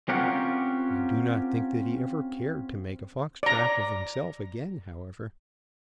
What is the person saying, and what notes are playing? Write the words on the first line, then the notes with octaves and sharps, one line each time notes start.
I do not think that he ever cared to make a fox-trap of himself again, however.
C4 C#4 F4 G4 A#4 F#5
D5 A#5